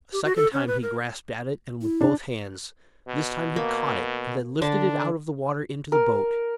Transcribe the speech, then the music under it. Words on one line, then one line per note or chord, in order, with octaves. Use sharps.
A second time he grasped at it, and with both hands. This time he caught it, and then lifted it out of the water into the boat.
G4
F#4
A4
C#4
B4
A#4
E4
D4
B2
A#3
D3 D4 A5
A#4